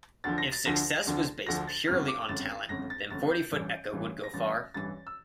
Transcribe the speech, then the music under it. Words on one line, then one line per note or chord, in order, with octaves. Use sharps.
If success was based purely on talent, then Forty Foot Echo would go far.
D2 D3 F3 A6
A#6
A6
D2 D3 F3 A#6
D2 D3 F3
D2 D3 F3 A#6
A6
G1 F2 C#3 F6
D6
G1 F2 C#3 A6
G1 F2 C#3 A#6
A6
G1 F2 C#3 A6
G6
A1 G2 E3
A1 G2 E3
A#6
A1 G2 E3 A6
A1 G2 E3 A6
E6